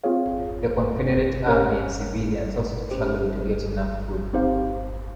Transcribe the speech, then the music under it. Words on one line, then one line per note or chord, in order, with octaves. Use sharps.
The Confederate Army and civilians also struggled to get enough food.
C4 F4 G#4 C#5 F5
C#4 G4 A#4 C#5 G#5
C#4 G4 C5
C4 D#4 G4 C5 F5